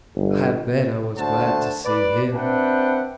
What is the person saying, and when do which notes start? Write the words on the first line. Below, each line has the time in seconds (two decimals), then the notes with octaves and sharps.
I bet I was glad to see him.
0.16 G1
1.18 D2 A3 C5 F#5 A5
1.85 B4 D5
2.35 C4 D4 B4 E5 F#5 G5